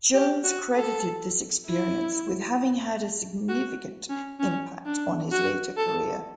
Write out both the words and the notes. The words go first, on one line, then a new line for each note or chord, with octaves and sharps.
Jones credited this experience with having had a significant impact on his later career.
G4
F#4
A4
E4
F#4
C#4
C#4
D4
F#4
A4